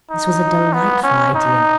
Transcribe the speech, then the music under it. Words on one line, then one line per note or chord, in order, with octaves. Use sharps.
This was a delightful idea.
D#4
B3
C#4
D#4